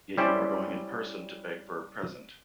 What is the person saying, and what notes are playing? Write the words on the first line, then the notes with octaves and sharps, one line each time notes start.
Yet you are going in person to beg for a present.
G3 C#4 E4 G4 C5 D5